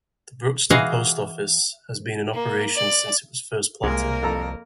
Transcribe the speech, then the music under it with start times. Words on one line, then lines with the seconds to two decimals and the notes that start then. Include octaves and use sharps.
The Brookston post office has been in operation since it was first platted.
0.70 E3 F#4 G#4 D#5 F5 F#5
2.34 A#3
2.75 D5
3.84 C2 G#3 A#3 A#4
4.22 F2 A4 A#5